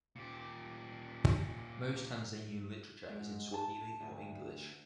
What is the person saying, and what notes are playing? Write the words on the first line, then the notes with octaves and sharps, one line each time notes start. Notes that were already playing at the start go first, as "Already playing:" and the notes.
Most Tanzanian literature is in Swahili or English.
A#2 G4
G#2
A5
D2